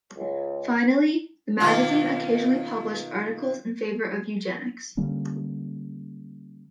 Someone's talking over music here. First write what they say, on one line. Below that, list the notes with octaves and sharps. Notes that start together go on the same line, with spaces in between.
Finally, the magazine occasionally published articles in favor of eugenics.
C#2
B2 D#3 F4
D3 G3 A#3 C#4